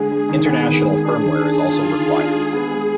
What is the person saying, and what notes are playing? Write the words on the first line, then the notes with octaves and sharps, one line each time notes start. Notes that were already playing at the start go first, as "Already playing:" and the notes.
International firmware is also required.
Already playing: D3 G#3 G#4
G#3
D#3
B3 G#4
D#3
G#3
D4
D#3
D4
D4 F4
D#3
D#3
D4 G#4
G#3
B3
G#3